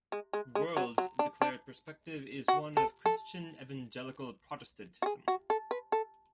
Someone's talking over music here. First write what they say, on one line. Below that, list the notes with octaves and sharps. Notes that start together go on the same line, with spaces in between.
"World"'s declared perspective is one of Christian evangelical Protestantism.
G#3
G#3
G#3
F#3
F#3
D4
D4
F#4
A4
A4
F#4
G#4
F#4
A4
B4
A4